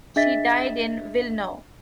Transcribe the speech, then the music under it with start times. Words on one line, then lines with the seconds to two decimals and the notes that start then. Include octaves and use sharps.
She died in Wilno.
0.16 D4 G#4 D#5 E5 A6 B6